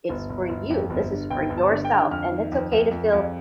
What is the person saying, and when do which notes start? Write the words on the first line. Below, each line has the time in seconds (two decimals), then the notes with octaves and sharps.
it's for you, this is for yourself. And it's okay to feel
0.09 G1
0.30 G1
0.49 G1
0.70 F2
0.90 G1
1.11 D3
1.30 G1 G5
1.50 G1
1.58 A5
1.70 D3
1.85 G5
1.90 D3
2.11 F2 F6
2.31 D#3
2.52 F2
2.72 F2
2.91 F2
3.12 F2